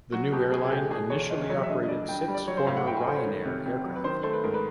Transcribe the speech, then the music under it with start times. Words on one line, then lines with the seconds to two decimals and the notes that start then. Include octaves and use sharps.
The new airline initially operated six former Ryanair aircraft.
0.13 F#3 F#4
0.32 B2 G4
0.52 B2 G#4
0.65 G#4
0.71 A3 G4
0.91 B2 G#4
1.10 E2 C#5
1.30 E2 D#5
1.50 F#3 C#5
1.63 E5
1.69 D3 D#5
1.83 D#5
1.88 G2 D5
2.08 G2 G5
2.22 G5
2.28 G3
2.34 D5
2.48 F#3 C#5
2.57 C5
2.67 A2 F5
2.77 F#5
2.86 A2 G5
2.97 G#5
3.06 A3 C5
3.16 C#5
3.26 D#3
3.45 C3
3.66 C3
3.85 F#3
3.95 B4
4.04 D#3 C5
4.23 A3 C5
4.33 B4
4.44 G#2 A#4
4.54 B4